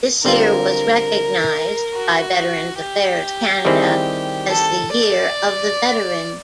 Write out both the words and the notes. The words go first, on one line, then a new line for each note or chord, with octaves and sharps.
This year was recognized, by Veterans Affairs Canada, as the Year of the Veteran.
D3 G3 C4 F4 A#4
F#4
G4
D#3 G3 C4 E4 G#4
A4
D5